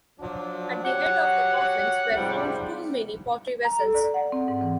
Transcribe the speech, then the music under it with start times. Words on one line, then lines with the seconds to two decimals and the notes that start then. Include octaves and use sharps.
At the head of the coffins were found too many pottery vessels.
0.20 F3 F#3 D4
0.84 F#4 G4 C#5 F#5
2.16 G#2 C3 F3 G3
3.65 A#5
3.79 A4
3.94 D5
4.14 F#5
4.32 C4
4.48 G#2
4.61 E3